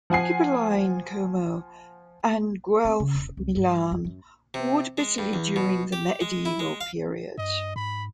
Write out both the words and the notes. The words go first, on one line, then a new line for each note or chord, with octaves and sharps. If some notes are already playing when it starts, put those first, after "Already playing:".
Ghibelline Como and Guelph Milan warred bitterly during the medieval period.
F3 F#5 G#5 C7
C4
C#3
E1
C2
G2
F2
F#2
C3
G#3
G2
E2
B2
G4
G#3
E4
G#3
F5
G2 D#5
G#2 B5